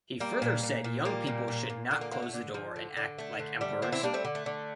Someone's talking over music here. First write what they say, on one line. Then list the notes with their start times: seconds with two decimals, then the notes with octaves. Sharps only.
He further said young people should not close the door and act like emperors.
0.20 G3 A#3
0.42 A#2
0.63 A#2
0.84 A#2
1.05 G3 A#3
1.27 A#2
1.48 A#2
1.69 A#2
1.91 D3 A#3
2.01 A#3
2.12 D3 A#3
2.22 A3
2.34 D3
2.54 F3
2.76 D3
2.97 D3
3.18 A3
3.39 D3
3.61 G3 A3
3.82 D3 A3 C4
3.92 C4 E4
4.03 G3 A#3 D4
4.14 A3 C4
4.25 D3
4.35 A3
4.46 D3